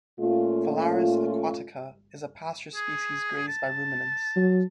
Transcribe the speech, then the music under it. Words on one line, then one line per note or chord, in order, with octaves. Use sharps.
"Phalaris aquatica" is a pasture species grazed by ruminants.
A#2 A3 C#4 F4
G#4
A5
F#3